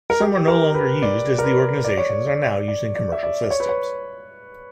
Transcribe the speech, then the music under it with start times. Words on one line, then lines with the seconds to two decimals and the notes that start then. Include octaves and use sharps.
Some are no longer used as the organizations are now using commercial systems.
0.10 A#4
0.20 G4
0.48 A#4
0.74 B4
1.02 D5
1.39 A#4
1.43 B4
1.84 D5
1.97 C#5
2.09 D5
2.27 D5
2.68 D5
2.95 D5
3.12 E5
3.23 D5
3.50 C#5
3.60 B4
3.69 C#5